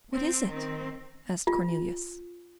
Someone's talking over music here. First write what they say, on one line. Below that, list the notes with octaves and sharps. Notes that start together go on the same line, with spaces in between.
"What is it?" asked Cornelius.
C4
D#3 C4
F4